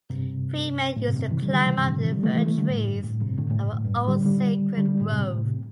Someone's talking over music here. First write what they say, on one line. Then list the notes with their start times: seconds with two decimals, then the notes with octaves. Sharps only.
Three men used to climb up the fir-trees of an old sacred grove.
0.10 G2 C3
0.96 A2
1.08 G2 C3
1.19 G2 C3
1.31 C3 E3
1.42 D3 G3
1.54 D3 G3
1.66 C3 E3
1.77 G2 C3
1.89 A2 D3
2.00 C3 E3
2.12 D3 G3
2.23 E3 A3
2.35 E3 A3
2.46 E3 A3
2.58 D3 G3
2.69 A2
2.86 G2
3.04 A2
3.21 G2 C3
3.38 A2 D3
3.50 A2
3.61 G2
3.73 A2
3.85 G2
3.96 A2
4.08 D3 G3
4.25 D3 G3
4.77 D3 G3
4.88 D3 G3
5.00 A2 D3
5.12 G2 C3
5.23 A2
5.35 A2
5.46 C3